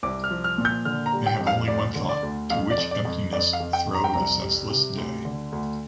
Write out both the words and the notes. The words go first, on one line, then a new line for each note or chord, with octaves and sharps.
They have only one thought: To which emptiness throw the senseless day?
C2 D6
F6
F3
F6
A#2
G6
D3 F6
A#5
G3
G5
F2
F5
D2 D5
D3
D5
D2
F2 F5
D5
F2
D5
F2
F2 D5
F5
F2
G5
F2
A#5
G5
C2 A#5
G3
C3
D2
D3
D2